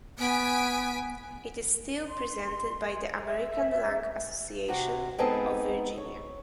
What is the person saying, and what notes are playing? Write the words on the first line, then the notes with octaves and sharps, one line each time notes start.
It is still presented by the American Lung Association of Virginia.
B3 G#5 B6 D7
C6
E5
C3 F#4
G#3 B3 C4 D#4 G#4 A4
C#5